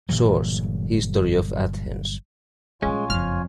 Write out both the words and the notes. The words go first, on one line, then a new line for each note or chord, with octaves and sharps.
Source: History of Athens.
G1 A#2 E3 F#3
A#1 G3 G#3 C#4 F4 C#5 G#5
F#1 F2 G#2 F6